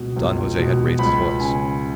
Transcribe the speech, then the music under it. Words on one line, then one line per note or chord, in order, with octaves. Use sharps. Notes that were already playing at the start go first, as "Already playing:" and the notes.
Don Jose had raised his voice.
Already playing: C#2 B2
C#2
B2
C#2 B5
C#3 G#5